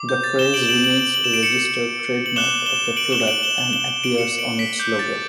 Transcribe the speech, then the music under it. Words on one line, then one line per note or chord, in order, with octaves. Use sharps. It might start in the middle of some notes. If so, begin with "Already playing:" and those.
The phrase remains a registered trademark of the product and appears on its logo.
Already playing: D6
G6
A6
E7 G7
D7 F#7
E7
D7 F#7
D7 F#7
D7 F#7
F#7
E7
D7
C#7 E7
F#7
D6 F#6 E7 G7
E7 G7
D7 F#7
E7 G7
D7 F#7
E7 G7
E7 G7
E7 G7
E7 G7
D7 F#7
C#7 E7
D7 F#7
B6 D7
D6 F#6 G6
A6